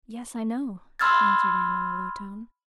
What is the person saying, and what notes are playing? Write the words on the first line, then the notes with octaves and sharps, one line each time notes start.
"Yes, I know," answered Anne in a low tone.
B5 C6 E6 F6 G#6 A6